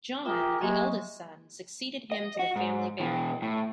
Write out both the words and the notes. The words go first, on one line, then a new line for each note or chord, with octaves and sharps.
John, the eldest son succeeded him to the family barony.
F4 G4 G#4 A#4 E5 G5 D#6
F#3 G#3 A#3 G4 D#5 E5 C#6
D#5
F#4
G#2
B2 E3
A2